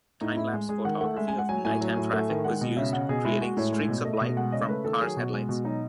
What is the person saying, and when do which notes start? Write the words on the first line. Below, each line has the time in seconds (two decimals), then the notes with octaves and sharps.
Time-lapse photography of night-time traffic was used, creating streaks of light from cars' headlights.
0.21 A2 D#4
0.37 A2 E4
0.53 G#3
0.69 G#3 G#4
0.85 D#3 F#5
1.01 A3 F#5
1.16 G#3 E5
1.28 G#5
1.33 G#3
1.39 F#5
1.49 F#3 G#5
1.65 A2 G#5
1.81 F#3
1.97 A2
2.13 A3
2.29 D#3
2.44 G#3 F#5
2.61 B2
2.77 C#3 E5
2.93 C#3 F#5
3.09 B2 G#4
3.25 G#3 E4
3.41 G#3 F#4
3.57 A2 C#5
3.73 G#3
3.89 B2
4.05 A3 D#5
4.21 B2
4.37 G#3 F#5
4.52 C#3 D#5
4.68 A3 B4
4.85 D#3 A4
5.01 F#3 G#4
5.17 B2 F#4
5.33 G#3
5.49 B2
5.64 F#3 D#4